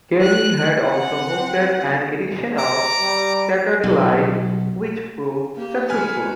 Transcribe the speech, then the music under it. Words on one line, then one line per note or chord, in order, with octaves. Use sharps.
Kenny had also hosted an edition of "Saturday Live" which proved successful.
F#6
C4 F#5
A#5 D6
G3
B1
A#3 G4
G#3 F#4 B4 G#5 F6